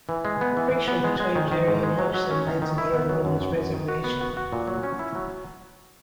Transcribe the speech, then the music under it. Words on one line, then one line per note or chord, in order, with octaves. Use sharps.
Friction between Gerrie and Hodgson led to the elder woman's resignation.
E3
G#3
B3
E3
E3
B3
G#3
G#3
D#3
D#3
G#2
G#3
F#3
F#3
C#4
D#3
D#3
E4
B3
F#3
F#2
F#2
F#2
D#3
F#4
B3
F#4
F#4
A#2
F#3
C#4
E4
F#3